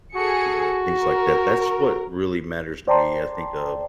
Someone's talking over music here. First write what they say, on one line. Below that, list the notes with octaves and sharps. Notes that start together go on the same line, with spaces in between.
You know, things like that that's what really matters to me, I think, um,
F#4 G#4 A4 C#7
A#4
C5 D5 G5 A5 A#5 C6